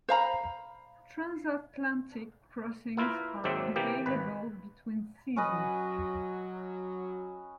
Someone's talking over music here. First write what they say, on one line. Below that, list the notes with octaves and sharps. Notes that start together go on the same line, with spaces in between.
Transatlantic crossings are available between seasons.
C5 F5 A#5 B5
A#3 E4 F4 A#4 B4
D#2 G#2 F#3 C4 D5 E5
C3 E3 A#3 G4
G#1 B4
F#3 C#4 B4 D#5